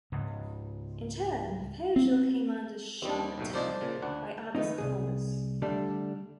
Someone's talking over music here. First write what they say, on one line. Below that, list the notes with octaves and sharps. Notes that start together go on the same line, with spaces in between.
In turn Fogel came under sharp attack by other scholars.
C#2 G#2
C4
D#2 G3 C4
B1 A2 A3
C2 F3 D#4 C5 D5 A5
A#2 C#3
D2 D4 F#5
D#3 A3 B3 C4 D#4
C2 F2 G#4
D3 G3 A3 D4